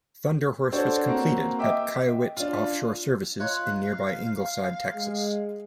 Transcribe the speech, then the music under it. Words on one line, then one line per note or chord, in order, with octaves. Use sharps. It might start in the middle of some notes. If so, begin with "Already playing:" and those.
Thunder Horse was completed at Kiewit Offshore Services in nearby Ingleside, Texas.
D4 F#4 A4 C5 C#5
A#3 C4 F#4
D#5 E5 G5 D6
D4 F4
D#4 F4 C#5 F#6
F5
G#3